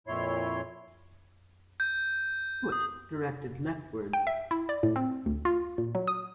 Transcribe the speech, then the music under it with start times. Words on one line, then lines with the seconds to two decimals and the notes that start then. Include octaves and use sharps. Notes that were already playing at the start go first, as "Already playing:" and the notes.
Foot directed leftwards.
0.07 F2 A#2 E4 C#5 C6
1.80 G6
2.72 D#6
4.13 G5
4.27 E5
4.51 E4
4.69 D5
4.83 A2
4.96 C4
5.26 D2
5.45 F4
5.78 A#2
5.95 F#3
6.07 D#6